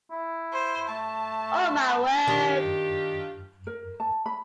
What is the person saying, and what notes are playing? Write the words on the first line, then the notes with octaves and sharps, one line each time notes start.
Oh my word.
E4
C5
A3 A5
D#3 D4 F4 G4
A#4
A5
B5